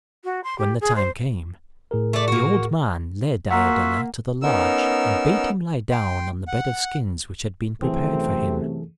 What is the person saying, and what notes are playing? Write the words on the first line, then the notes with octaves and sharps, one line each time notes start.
When the time came, the old man led Iadilla to the lodge and bade him lie down on the bed of skins which had been prepared for him.
F#4
C6
G4
G#4
C5
A2 G#4 A#4
A3 D5
A#3 F#4
A#3 F4 F#4 E5 F#5 A#5
B3 C#4 D#4 A#4 E6
G5 C6
F#5
F#2 C3 E3 A3 C4 G#4 A4